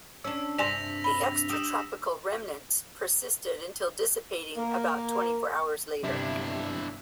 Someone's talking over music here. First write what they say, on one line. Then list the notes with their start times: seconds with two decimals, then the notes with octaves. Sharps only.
The extratropical remnants persisted until dissipating about twenty-four hours later.
0.24 C#4 D4 E6
0.58 G2 C3 D5 G#5 C6 A#6 B6 F7
1.04 B5
1.50 G4 D#6 E6 E7
4.57 A#3
6.04 G1 G2 C3 D4 E4